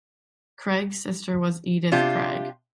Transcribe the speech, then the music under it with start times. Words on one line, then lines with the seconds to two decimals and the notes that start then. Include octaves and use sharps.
Craig's sister was Edith Craig.
1.92 C3 D4 F4 G4